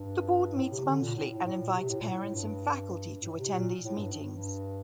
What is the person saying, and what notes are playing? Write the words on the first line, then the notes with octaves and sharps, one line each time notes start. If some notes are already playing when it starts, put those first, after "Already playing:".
The Board meets monthly and invites parents and faculty to attend these meetings.
Already playing: G2
A2
C3
D3
A#2
A2
A2
A2
A#2
C3
A2
A#2
A2
G2
G2
A2
C3
A#2
A2
G2
G2
G2